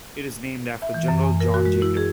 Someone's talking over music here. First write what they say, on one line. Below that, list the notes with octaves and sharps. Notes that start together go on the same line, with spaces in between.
It is named after General John Jacob.
E5
E3
F#2
G#5
A#4
F#4
G#3
E4
G#4